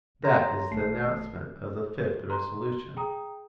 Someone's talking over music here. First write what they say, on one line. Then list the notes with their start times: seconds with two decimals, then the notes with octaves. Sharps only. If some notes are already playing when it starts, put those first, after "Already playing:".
That is the announcement of the fifth resolution.
0.24 C#5 A#5 C6 A#6
0.71 G#1 A3 A5 C7
2.30 A#5 C6
2.96 G#4 G5 A#5 D#6